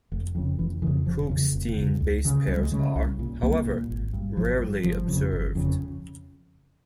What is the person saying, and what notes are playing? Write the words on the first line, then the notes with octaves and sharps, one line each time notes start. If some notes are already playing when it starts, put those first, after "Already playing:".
Hoogsteen base pairs are, however, rarely observed.
F1
F2 C#3
F1 E3
F2 C#3 E3
E1 F3
E2 C#3
E1
E2 C#3
C#2
C#3
C#2 G3
G#3
C#3
C2
A#2
C2 A#3
A#2
G#1
G2
G#1 F3
G2
G1 F3
F2 C#3
G1
F2 C#3